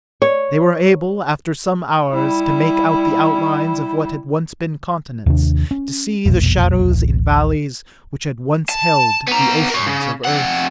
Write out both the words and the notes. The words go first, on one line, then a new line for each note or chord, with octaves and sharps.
They were able, after some hours, to make out the outlines of what had once been continents, to see the shadows in valleys which had once held the oceans of Earth....
C#5
G3 E4
D#2 C3 D#3 D4
C#4
F1 B1 E2 A#2
D1 A1
A5
B3 A#5
A#4 C#5
C#3
F2 F#5